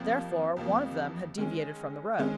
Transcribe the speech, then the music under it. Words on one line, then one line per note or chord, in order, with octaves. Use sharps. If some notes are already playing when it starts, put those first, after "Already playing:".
Therefore, one of them had deviated from the road.
Already playing: F2 C3 F3 A#3
F2 C3 F3 A#3
D#3 G#3 C#4
D#3 G#3 C#4